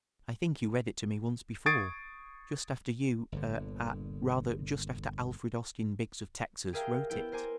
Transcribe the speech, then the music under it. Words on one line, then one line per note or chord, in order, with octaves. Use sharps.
"I think you read it to me once before, just after you--er--ah--rather just after Alfred Austin Biggs, of Texas--wrote it."
C#6 D#6 G#6 A6 C7 D7
G1 A#2 D3
G4 G#4 A#4 E5 F5 G5
B3 E4 G5
A#4 C5 G#5 D6